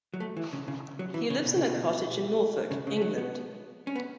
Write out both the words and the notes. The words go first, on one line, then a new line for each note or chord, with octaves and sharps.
He lives in a cottage in Norfolk, England.
F#3
A3
E3
C#3
C#3
F#3
E3
C#3
B2
C#3
B2
C#3
C#3
A3
F#3
B3
C#4
B3